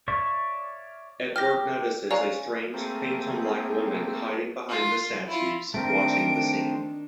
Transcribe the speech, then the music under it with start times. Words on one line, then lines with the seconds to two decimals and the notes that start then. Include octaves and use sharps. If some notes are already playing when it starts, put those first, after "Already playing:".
Edward notices a strange phantom-like woman hiding behind the statues watching the scene.
0.08 C#5 D5 E5 F5 C#6
1.36 G4 F6 A#6
2.11 G#3 C#4 D5 F5 A#5
2.74 A3 A#3 C4 G#4
4.69 F4
5.28 E4 F4
5.74 D#3 A3 C4 D4 A#4 D7